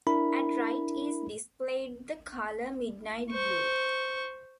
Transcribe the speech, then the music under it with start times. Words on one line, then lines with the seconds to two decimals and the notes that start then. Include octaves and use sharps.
At right is displayed the color midnight blue.
0.07 D4 E4 A#4 B5
3.31 C5 C#6